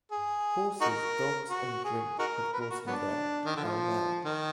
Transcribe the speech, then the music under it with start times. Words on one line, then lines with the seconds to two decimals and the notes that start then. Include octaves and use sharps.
Horses, dogs, and drink had brought him there, pell-mell.
0.11 G#4
0.81 D#4 F#4 A#4
1.50 F#4
1.84 G#4
2.19 D#4 F#4 A#4
2.53 B4
2.61 A#4
2.71 F#4
2.87 F#3 B3 D4
3.45 D#3
3.56 D3 F3
4.25 D#3